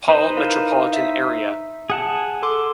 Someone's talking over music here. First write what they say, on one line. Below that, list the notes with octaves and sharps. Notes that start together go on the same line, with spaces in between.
Paul metropolitan area.
D#4 B4 C5
E4 A#4 F5
E5 B6
G#4 F#5 A5
A4 C6 D6